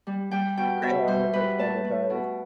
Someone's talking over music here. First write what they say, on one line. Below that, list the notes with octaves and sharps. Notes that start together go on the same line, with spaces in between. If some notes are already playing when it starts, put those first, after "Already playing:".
Greyhound was then retired.
G3
G3 G5
B2 G5
B2 E5
G3 C5
G3 B4
A3 A5
A3
B2